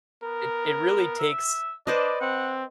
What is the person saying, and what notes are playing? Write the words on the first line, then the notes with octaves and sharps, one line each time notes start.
it it really takes
B3 A#4
E5
D4 B4 C5 D5 D#5
C4 F#5